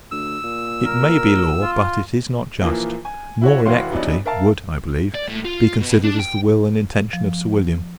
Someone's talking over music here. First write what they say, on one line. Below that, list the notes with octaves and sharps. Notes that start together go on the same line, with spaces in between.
It may be law, but it is not just; nor in equity would, I believe, be considered as the will and intention of Sir William.
D2 E6
A#2
A#4
F4
A#2 E3 F3 A#3
G#5
E4 F#4 C#5
F1 E3 F#4 C#5 F5 C6
E3 F#3 G3 B3 D4 D#4
A#4 E5 F5 A5
D5
A2
F4
B2
D4
G5
F3